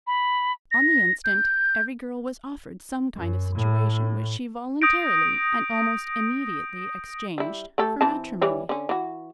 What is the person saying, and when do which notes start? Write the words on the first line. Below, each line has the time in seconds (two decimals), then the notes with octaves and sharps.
On the instant, every girl was offered some kind of situation, which she voluntarily and almost immediately exchanged for matrimony.
0.07 B5
0.72 A#6
1.25 G6
3.15 F#2
3.55 A2
4.82 D#6 G6 A#6 D7
7.38 G3 E4
7.78 A3 G4 A4
8.01 E3 C4 A5
8.41 E3 G3 C#5
8.69 D3 C#4
8.89 E3 F#4